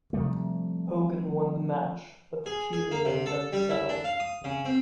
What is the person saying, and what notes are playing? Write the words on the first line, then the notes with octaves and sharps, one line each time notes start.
Hogan won the match, but the feud remained unsettled.
C3 F3 G3 A3
G#4
G#4
A#3
C3
A4
G3
E4
D4
F5
D#6
C#3
C4